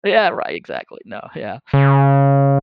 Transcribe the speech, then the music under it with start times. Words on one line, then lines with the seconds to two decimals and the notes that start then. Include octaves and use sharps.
Yeah, right, exactly no, yeah.
1.73 C#3